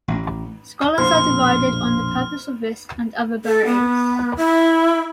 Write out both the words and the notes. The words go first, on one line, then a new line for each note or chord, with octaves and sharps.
Scholars are divided on the purpose of this and other barays.
A1
A#1 F2 B2 C5 F6
A4
B3
E4